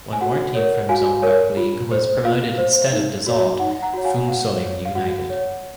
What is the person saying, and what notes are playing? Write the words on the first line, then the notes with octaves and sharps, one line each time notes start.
One more team from Dzongkhag League was promoted instead of dissolved Phuentsholing United.
G#5
F#4 F#5
A#4 C#5
F#4 F5 G#5
A#4 C#5
F4
C5
F4 F5
C5
D#4
F#4 C#5
D#4 F#5
F#5 A#5
F#4 C#5
F5 G#5
F#5
F#4 F5
C#5
F5
F#4 F#5
C#5